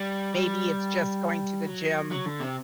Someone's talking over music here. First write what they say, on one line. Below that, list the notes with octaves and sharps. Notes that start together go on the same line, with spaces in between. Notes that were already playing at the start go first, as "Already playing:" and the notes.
Maybe it's just going to the gym
Already playing: G3
G3
F#3
F#3
D3
C3